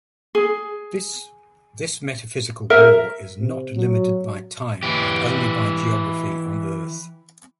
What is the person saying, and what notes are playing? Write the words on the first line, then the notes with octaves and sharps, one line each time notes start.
This metaphysical war is not limited by time but only by geography on Earth.
G#4
A#4 E5
C3
F#3
E3 G4